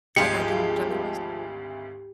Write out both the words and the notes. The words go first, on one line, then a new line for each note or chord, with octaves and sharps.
what that June's Deli was?
G#1 D2 F3 G#3 G4 F5 C#7